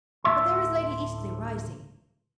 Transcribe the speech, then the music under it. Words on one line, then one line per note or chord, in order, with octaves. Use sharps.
But there is Lady Eastleigh rising.
D2 A2 E3 E5 C6